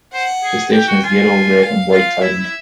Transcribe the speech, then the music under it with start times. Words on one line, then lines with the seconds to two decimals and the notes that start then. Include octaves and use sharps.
The station has yellow, red and white tiling.
0.13 C5 F#5
0.44 G#4
0.73 G4 G5
0.88 F#4
1.03 F4 G#5
1.63 F5
1.92 F4 F5
2.22 E4 E5
2.38 E4